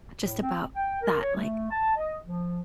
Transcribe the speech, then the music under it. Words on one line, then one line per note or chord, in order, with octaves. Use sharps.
just about that, like
A2
C4
G5
A#4
C#5
A3
A5
D#5
F3